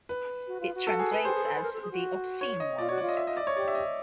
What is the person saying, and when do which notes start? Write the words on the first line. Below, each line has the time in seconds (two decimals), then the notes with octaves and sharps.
It translates as 'The Obscene Ones'.
0.09 B4
0.48 F#4
0.61 F4
0.75 F#4
0.87 A4
0.99 G#4
1.12 B4
1.25 G4 C5
1.35 G#4
1.44 A4
1.54 B4
1.63 A#4
1.73 A4
1.82 G#4
1.92 F#4
2.41 C#5
2.60 D#5
2.78 F4 D5
2.89 F#4 C#5
2.98 F4 D5
3.08 D#5
3.17 E5
3.27 D#5
3.37 D5
3.47 C#5
3.56 G4 D5
3.68 E5
3.75 D#5